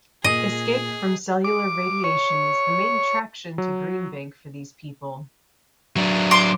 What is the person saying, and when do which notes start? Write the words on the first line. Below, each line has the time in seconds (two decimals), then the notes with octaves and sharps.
Escape from cellular radiation is the main attraction to Green Bank for these people.
0.24 A#2 G#4 D#5
1.44 D6
2.04 C#5
3.58 F#3
5.96 F#3 D4
6.31 C6 D6